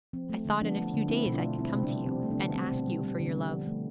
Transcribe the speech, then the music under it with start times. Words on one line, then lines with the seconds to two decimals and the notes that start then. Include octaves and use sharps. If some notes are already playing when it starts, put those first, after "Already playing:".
I thought in a few days I could come to you, and ask you for your love.
0.13 F3 C4
0.30 A3
0.45 D3
0.62 F3 B3 D4
0.77 A3
0.94 D3
1.09 A3 C4 E4
1.26 B2
1.34 D4 F4
1.43 A3
1.58 G3 C4 E4
1.72 C3 C4
1.83 B3 D4
1.91 G3
2.07 F3 C4
2.23 A3
2.30 B3 D4
2.39 D3
2.55 G3 C4
2.67 C4
2.71 B2
2.79 C4
2.87 G3
3.03 G3 C4
3.20 D3
3.28 B3
3.35 G3
3.52 F3
3.67 A3